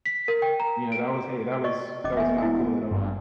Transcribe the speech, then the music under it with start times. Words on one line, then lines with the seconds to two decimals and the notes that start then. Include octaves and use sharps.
you know, that was a that was that was not cool at all.
0.06 B6
0.28 A#4
0.42 G5
0.60 A#5
0.92 D7
1.64 D5 D#5 C#6
2.04 E1 C#4 D#5 D6
2.17 B3 E5 G#5
2.38 B3 E4 G#5
2.91 G#1 G2